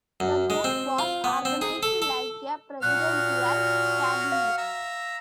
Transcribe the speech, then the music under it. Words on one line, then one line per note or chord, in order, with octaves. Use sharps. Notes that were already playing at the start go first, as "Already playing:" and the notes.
The group was organized like a presidential cabinet.
F#2
G#3
C4
F4
B3
C4
G#4
A4
A4
A#2 F#3 F#4 F6 F#6
F5
E5 A#5